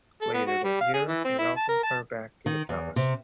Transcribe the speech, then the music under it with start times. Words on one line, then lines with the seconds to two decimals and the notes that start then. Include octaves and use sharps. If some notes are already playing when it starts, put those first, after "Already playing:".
Later that year, he welcomed her back to the palace.
0.22 A4
0.34 B3
0.47 F#4
0.64 G3
0.81 F5
0.94 G#4
1.07 E3
1.25 C4
1.39 E4
1.57 A5
1.68 A#4
1.83 A5
2.46 D#3
2.69 E2
2.96 C3